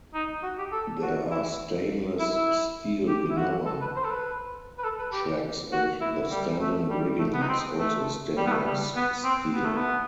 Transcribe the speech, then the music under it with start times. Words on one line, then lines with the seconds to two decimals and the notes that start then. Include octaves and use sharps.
There are stainless steel genoa tracks and the standing rigging is also stainless steel.
0.14 D#4
0.43 F#4
0.58 G4
0.72 A4
1.02 F#4
1.31 E4
2.19 E4
2.34 E4
3.08 G4
3.30 E4
3.38 F#4
3.66 A4
3.81 B4
3.96 C5
4.04 A4
4.10 B4
4.78 B4
4.84 A4
4.99 B4
5.13 G4
5.72 F#4
6.01 E4
6.31 G3
6.60 A3
6.90 G3
7.19 A3
7.34 B3
7.42 D#4
7.48 C4
7.78 A3
8.37 G3
8.47 B3
8.51 A3
8.66 G3
8.96 B3
9.24 C4
9.54 B3
9.65 A3
9.76 B3